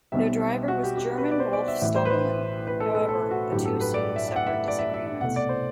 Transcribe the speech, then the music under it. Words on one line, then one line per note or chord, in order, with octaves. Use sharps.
Their driver was German Rolf Stommelen, however the two soon suffered disagreements.
B1 B2 G3 C4 E5
F#4
G4
G4
B4
D5
C5
D5
E5
A1 A2 E3 E5
C5
B4
C5
B4
A4
A4
A4
F#4
A1 G2 F#3 G4
A4
B4
D5
E5
E5
F#5
E5
E5
D5
E5
E5
E5
C2 B2 A3 F#5
D5
C5